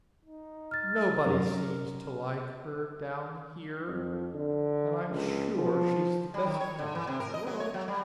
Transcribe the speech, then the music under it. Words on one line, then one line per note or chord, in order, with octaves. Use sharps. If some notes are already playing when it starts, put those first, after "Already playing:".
'Nobody seems to like her, down here, and I'm sure she's the best cat in the world!
D#4
F6 A6
F#2 A#4
F2
D3
C#2
F3
G3
D#3
C#5
D3
E3
C3
A#4
D#5
F#3
C#5
F#3
G3